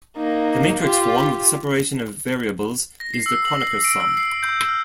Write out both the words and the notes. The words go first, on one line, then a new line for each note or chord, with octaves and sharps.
The matrix form of the separation of variables is the Kronecker sum.
A#3 D#4
F4 G4
A#6
C7
E6
F#7
C7
D7
E6
C7
G6
F6